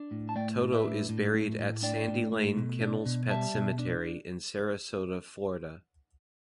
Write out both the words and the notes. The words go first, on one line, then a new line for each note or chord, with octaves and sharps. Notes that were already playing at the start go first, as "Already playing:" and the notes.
Toto is buried at "Sandy Lane" Kennels Pet Cemetery in Sarasota, Florida.
Already playing: D4
A2
A5
A3 D5 G5
A2
B4 E5
D4
A2
A3
A2
D4 D5 G5
A2
A3
B2
D4
B2
G3 E5 A5
B2
D4